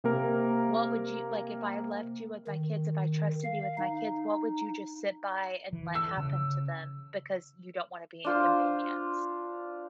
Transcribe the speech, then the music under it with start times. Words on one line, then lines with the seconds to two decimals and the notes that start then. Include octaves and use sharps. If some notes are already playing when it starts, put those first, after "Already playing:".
what would you like, if I left you with my kids, if I trusted you with my kids, what would you just sit by, and let happen to them because you don't want to be inconvenienced?
0.04 C3 A#3 A#4
2.47 D#3
3.44 F5
3.78 D#4
5.73 E3
5.95 E6
6.17 C#3
8.25 D4 F4 C5